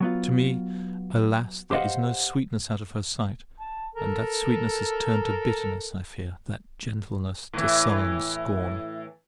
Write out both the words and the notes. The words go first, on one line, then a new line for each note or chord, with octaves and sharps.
To me, alas! there is no sweetness out of her sight, and that sweetness has turned to bitterness, I fear; that gentleness to sullen scorn!
F#3 B3 F4
G4 B4 C5 D#5 F5 F#5
A5
A4 A#4
A2 E3